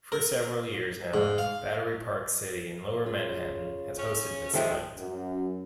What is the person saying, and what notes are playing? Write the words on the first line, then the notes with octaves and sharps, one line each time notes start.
For several years now, Battery Park City in lower Manhattan has hosted this event.
A#4
G#2
F5
C#3 F4
C#3 C#4
C3 D#3 F3 G#3 A4 E5 G5
F#2